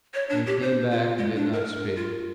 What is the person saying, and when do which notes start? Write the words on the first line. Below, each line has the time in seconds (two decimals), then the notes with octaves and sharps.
When he came back, he did not speak.
0.14 C#5
0.29 D4
0.47 G4
0.62 C5
0.90 F4
1.18 G#3
1.35 D4
1.53 A#4
1.96 F4